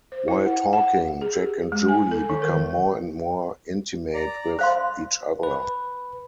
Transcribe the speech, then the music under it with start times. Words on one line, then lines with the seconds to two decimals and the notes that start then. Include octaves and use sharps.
While talking, Jack and Julie become more and more intimate with each other.
0.12 C5
0.28 E4
0.46 F#5
0.73 F#5
1.21 G#4
1.34 G4
1.72 G#3
1.88 G#5
2.11 A4
2.30 D#3
2.42 A#4
4.14 D5 A#5
4.59 C5 F5 C6
5.43 B4